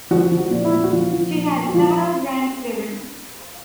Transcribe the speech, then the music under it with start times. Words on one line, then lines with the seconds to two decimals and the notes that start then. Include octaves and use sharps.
She had several grandchildren.
0.11 F3 F#4
0.32 F3
0.39 F#4
0.51 A#2
0.65 E4
0.73 A#2
0.84 F#4
0.92 F3 F4
1.13 F3
1.34 A#2
1.54 A#2
1.68 F#4
1.74 F3 F4